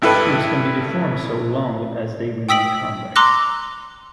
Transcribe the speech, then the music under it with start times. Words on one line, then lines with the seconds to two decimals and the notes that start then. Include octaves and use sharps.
Cubes can be deformed so long as they remain convex.
0.02 G#1 G2 E4 A4 B4 G5
2.49 G5 D#6 E6 B6 D7 F#7
3.16 A#5 C6 D6 E6 F#6 A#6